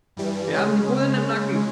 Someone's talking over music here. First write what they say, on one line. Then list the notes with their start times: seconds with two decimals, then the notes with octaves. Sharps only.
Wir haben die Bullen im Nacken.
0.17 G2 E3 G3
0.52 C#3 G#3 C#4